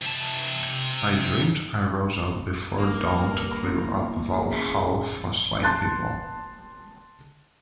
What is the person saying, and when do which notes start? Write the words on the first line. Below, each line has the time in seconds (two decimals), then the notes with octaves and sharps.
I dreamed I rose up before dawn to clear up Val-hall for slain people.
0.02 C3 A5
2.79 G2 A#3
3.64 B3 E4
4.30 C#3
5.63 A5 C6 F#6 G6 A6